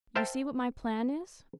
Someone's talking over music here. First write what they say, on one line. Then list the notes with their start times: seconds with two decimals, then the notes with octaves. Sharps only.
You see what my plan is?
0.15 A#4 C5 E5 F5 G5 A5